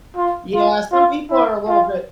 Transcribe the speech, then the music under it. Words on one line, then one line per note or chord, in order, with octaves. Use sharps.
Yeah, some people are a little bit
F4
F4
F4
E4
F4